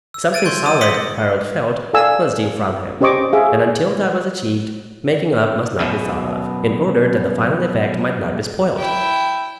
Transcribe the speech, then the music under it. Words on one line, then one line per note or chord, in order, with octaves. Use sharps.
Something solid, Harold felt, was due from him; and until that was achieved, making-up must not be thought of, in order that the final effect might not be spoilt.
E6
G#6 A6 D7 D#7
C6 C#6 G6 A6
D#6 D#7
C6 D6 D#6 A#6 B6 C#7
A4 D5 F5 G#5 E6
C#4 G4 C5 D#5 C#6 D6
G#4 E5 F5
F#2 B2
E4 G5